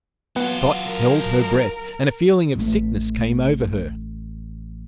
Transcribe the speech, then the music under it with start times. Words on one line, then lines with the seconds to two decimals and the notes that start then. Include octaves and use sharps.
Dot held her breath, and a feeling of sickness came over her.
0.36 F#3 B3 F4 F#5
0.87 A#4
2.55 A1 A3